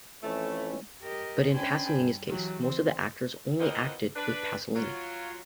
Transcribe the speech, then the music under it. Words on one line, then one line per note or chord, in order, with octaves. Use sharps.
But in Pasolini's case, most of the actors "only acted with Pasolini".
F2 E3 A3 C#4
G4 A#4 D#5
C#4 D4 C5 G5 G#5 B5
G2
E3 F#3 G4
C4
A#2 E3 B3 C4 A#4 D#5
D4 B4
F#3 F4